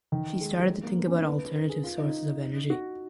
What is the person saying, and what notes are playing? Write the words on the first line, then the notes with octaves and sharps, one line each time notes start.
She started to think about alternative sources of energy.
D#3
G#3
F#3
G#3
A#3
B3
C#4
D#4
B4
A#4
G#4
F4
D#4
F#4